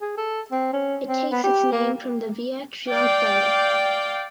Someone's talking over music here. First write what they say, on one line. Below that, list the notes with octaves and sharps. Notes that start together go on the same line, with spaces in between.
It takes its name from the Via Trionfale.
G#4
A4
C4
C#4
C4
B3
G4
A#3
D5 F5 G5